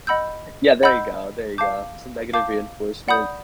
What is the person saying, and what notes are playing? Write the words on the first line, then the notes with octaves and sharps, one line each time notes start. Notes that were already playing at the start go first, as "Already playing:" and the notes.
Yeah, there you go, there you go, some negative reinforcement.
D#5 F#5 B5 E6 G6
D#5 F#5 B5 E6 G6
F5 A5 D6 G6
F5 A5 D6 G6
D5 F#5 B5 D#6 G6